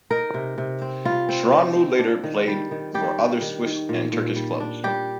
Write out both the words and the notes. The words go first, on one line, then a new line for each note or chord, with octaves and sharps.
Shorunmu later played for other Swiss and Turkish clubs.
D#4 A#4
C3
C3
C4
G3 F4
C4
D#4
C4
D4
D#3
G3
D#3
G3 G4
D4
D#3
D#3
A#2
A#2
G3
D4
G3 G4